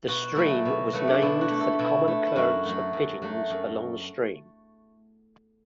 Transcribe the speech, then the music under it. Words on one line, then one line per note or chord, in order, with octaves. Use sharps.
The stream was named for the common occurrence of pigeons along the stream.
B2 F#4
F#3 A3 E4
B2
F#3 A3 B3
D4
B2 E4
F#4
A3
A4
B2 E4
A3
E4
F#2 F#4
F#3 A3
F#2
F#3 A3
F#2